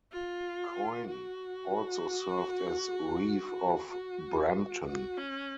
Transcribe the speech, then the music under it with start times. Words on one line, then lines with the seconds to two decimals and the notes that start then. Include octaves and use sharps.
Coyne also served as reeve of Brampton.
0.12 F4
1.07 F#4
3.91 F#4
4.86 F#4
5.18 C#4